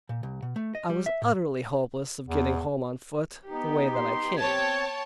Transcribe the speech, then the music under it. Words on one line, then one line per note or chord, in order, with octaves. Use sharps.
I was utterly hopeless of getting home on foot, the way that I came.
A#2
C2
B2
A3
D#5
G3
E5
A2
E2
B3 D#4 G4
C6
C4 C#5 G5 A5 G#6